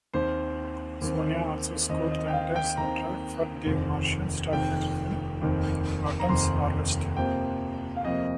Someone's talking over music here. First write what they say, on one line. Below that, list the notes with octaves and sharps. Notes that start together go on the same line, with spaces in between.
Sonia also scored the entire soundtrack for Dave Marshall's documentary film "Autumn's Harvest".
D#2 D#3 C4 C5
D#2 D#3 C4
D#2 D#3 C4 D#5
D#5
G5
F5
G5
D#2 D#3 C4 A#5
F1 D#2 D#3 C4
F1 D#2 D#3 C4 G5
F1 D#2 D#3 C4
A#5
F1 D#2 D#3 C4 C6
F2 C3 F3 A#3 G5
F5
F2 C3 F3 A#3 D#5